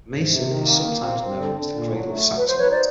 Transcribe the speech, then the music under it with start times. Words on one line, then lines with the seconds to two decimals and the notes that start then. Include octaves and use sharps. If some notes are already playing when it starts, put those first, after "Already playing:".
Meissen is sometimes known as the "cradle of Saxony".
0.10 G#2
0.28 C3
0.46 D#3
0.64 A#3
0.83 A#3
1.01 C4
1.19 C4
1.37 D3
1.56 D3
1.74 A#2
1.92 F#3
2.10 A3
2.28 F#3
2.37 B4
2.47 F#3 C5
2.59 B4 C#5
2.64 D#4
2.70 C5 D5